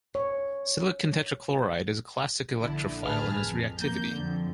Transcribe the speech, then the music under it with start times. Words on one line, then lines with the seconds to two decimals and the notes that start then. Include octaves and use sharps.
Silicon tetrachloride is a classic electrophile in its reactivity.
0.15 C#5
2.59 A#1 D3 E4
3.03 A1 D2 G#4 B4 A5 F6
3.45 F2
3.81 A#3 G6
4.13 F2 D3